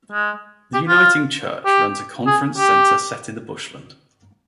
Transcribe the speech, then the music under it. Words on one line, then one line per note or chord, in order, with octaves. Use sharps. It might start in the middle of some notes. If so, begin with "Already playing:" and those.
The Uniting Church runs a conference centre set in the bushland.
G#3
G4
F4
G4
G#4
G4